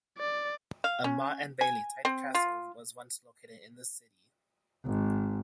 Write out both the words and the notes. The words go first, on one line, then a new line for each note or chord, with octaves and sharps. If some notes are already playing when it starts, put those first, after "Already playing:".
A motte-and-bailey-type castle was once located in the city.
D5
F5
C#4
G#5
C4
F4
G#1